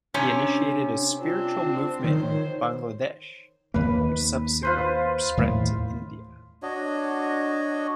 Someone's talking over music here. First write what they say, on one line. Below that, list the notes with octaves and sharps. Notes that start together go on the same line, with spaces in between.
He initiated a spiritual movement in Bangladesh which subsequently spread to India.
C3 C#4 D4
C4 D4 F4
D#3 C5 C#5
D#2 A#3 B4
F4 B4 C5
D#2 A2
D4 F#4 C#5 D#5